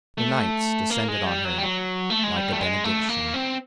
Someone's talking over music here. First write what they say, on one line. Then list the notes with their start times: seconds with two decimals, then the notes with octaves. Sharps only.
The nights descended on her like a benediction.
0.18 A3
0.90 A#3
1.08 G#3
1.26 G3
1.45 F#3
1.58 G3
1.63 F#3
2.10 A3
2.23 G#3
2.37 G3
2.52 A3
2.61 G#3
2.84 A3
3.09 A#3
3.34 C4